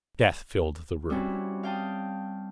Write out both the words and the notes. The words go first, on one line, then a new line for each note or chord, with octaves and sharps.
Death filled the room.
G3 C4 C#4 E4 F#4
F5 G5 A5 D#6